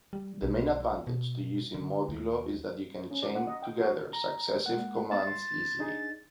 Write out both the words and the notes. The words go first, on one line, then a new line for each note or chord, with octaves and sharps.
The main advantage to using modulo is that you can chain together successive commands easily.
G3
B1
B2
D3
D#2
C#4
D5
F#5
D#5
G5
F#4
A#5
G#3 A#3 F#5
B3 D5 A6
C6
D4 D#4 G#4